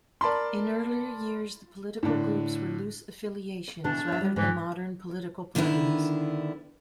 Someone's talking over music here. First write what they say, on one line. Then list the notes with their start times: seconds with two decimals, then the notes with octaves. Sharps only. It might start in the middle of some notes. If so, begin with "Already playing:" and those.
In earlier years, the political groups were loose affiliations rather than modern political parties.
0.21 A#4 D5 A5 B5 C6
2.03 A2 D3 D4
3.84 B2 E3 D4 A4
4.08 C#5 E5
4.21 G3
4.36 E2 G#2 D3 E3
5.55 D3 D#3 B3 D4 E4